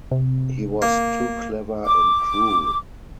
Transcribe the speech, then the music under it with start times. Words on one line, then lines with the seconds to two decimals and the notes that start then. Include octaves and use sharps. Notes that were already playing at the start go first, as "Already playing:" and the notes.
He was too clever and cruel.
0.11 C3
0.82 A#3
1.86 D6